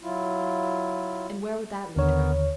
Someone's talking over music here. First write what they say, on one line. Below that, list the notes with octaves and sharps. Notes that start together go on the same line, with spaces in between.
And where would that lead her?
F#3 E4 F4
D#2 D3 B3 A#4 C#5